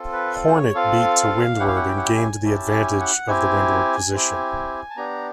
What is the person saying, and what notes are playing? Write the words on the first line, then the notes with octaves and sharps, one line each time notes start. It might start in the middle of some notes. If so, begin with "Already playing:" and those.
"Hornet" beat to windward and gained the advantage of the windward position.
Already playing: C4 F4 A4
B4
C5
C#5
C4 F4 A4 F5
C#4 E4 G4 F#5
F5
F#5
G5
F#5
G5
G#5
C#4 E4 G4 A5
G#5
F#5
C4 E4 G4 G#5
C4 E4 G4
A5
B3 D4 G4 A#5